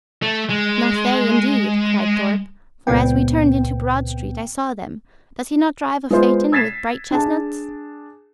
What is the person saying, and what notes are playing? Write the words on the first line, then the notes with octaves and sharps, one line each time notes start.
"Not they indeed," cried Thorpe; "for, as we turned into Broad Street, I saw them--does he not drive a phaeton with bright chestnuts?"
A3
G#3
C#2 A#2 B3 C4 G5
G#3 B3 F4 C5
E6 G#6 A6 B6 C7 E7
D4 G#4 A5